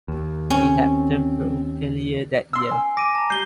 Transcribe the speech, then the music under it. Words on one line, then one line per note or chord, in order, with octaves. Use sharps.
He had turned pro earlier that year.
D#2
C4 C#4
C6 E6
G#5
D6 A#6 D7 D#7
A5 A#5
G3 G6 C7 G7